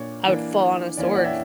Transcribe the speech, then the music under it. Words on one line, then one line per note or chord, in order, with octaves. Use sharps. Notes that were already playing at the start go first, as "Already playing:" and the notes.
I would fall on a sword f
Already playing: A#2 A#3 D4 C#5 D5
E3 A#3 D4
E3 A#3 C#4 D5
D5 F#5
E5 G5